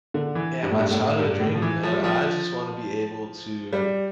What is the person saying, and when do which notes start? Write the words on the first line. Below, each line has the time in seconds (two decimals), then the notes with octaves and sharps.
Yeah, my childhood dreams, man, I just want to be able to
0.14 D3
0.35 E3
0.63 G2
0.71 A2
0.79 G2
0.91 A2
1.19 G2
1.40 A2
1.54 F3
1.62 E3
1.83 F3
1.93 G3
2.04 F3
3.73 G3